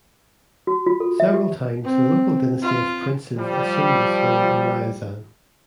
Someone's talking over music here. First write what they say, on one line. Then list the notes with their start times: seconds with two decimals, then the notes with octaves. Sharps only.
Several times the local dynasty of princes assumed the throne in Ryazan.
0.67 F#4
0.86 F4
1.00 A4
1.20 E5
1.34 G4
1.84 C4
2.62 F4
3.37 F3 G3